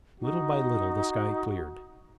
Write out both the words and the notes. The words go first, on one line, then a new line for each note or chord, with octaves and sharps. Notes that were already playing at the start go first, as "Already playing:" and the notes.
Little by little the sky cleared.
D#4 F#4